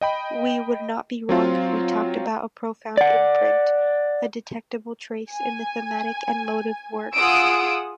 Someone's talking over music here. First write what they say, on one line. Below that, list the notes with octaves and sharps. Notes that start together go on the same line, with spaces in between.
We would not be wrong if we talked about a profound imprint, a detectable trace in the thematic and motive work.
D#5 G5 B5
F#3 C4 F4
D5 F#5
G#5
F4 G#4 F#5 D#6 E6 D7